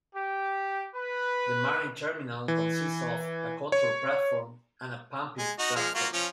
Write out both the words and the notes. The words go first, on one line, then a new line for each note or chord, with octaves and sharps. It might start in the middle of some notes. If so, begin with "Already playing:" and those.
The Marine Terminal consists of a control platform and a pumping platform.
G4
B4
E3
C#5
G#3 G#5
D#4 F#4 D#5
F3 G#3 F6
A#3 F4 F#4
F3 C#4 F4